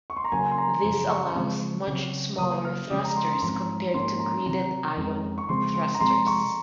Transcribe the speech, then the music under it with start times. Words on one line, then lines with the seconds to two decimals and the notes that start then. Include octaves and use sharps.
This allows much smaller thrusters compared to gridded ion thrusters.
0.10 C#6
0.17 C6
0.24 A#5
0.32 C#3 F#3 A#3 G#5
0.51 C6
0.58 A#5
0.84 F#2 C#3 F3
1.09 C#6
1.35 C#3 F3 G#3 C4
1.87 C#3 F#3 C4
2.38 C#3 F#3 A#3 D#6
2.65 F6
2.91 C#3 F3 G#3 C#4 D#6
3.04 A#5
3.16 C6
3.32 C6
3.42 G#2 F3 C4 A#5
3.94 G#2 F3 A#3 C#4 C6
4.19 A#5
4.46 C3 D#3 F#3 A#5
4.97 F2 D#3 G#3 C#4
5.38 C#6
5.49 C#3 F3 G#3 C4 C6
5.75 C6
5.95 A#5
6.01 C3 F3 G#3 C4 C6
6.27 C#6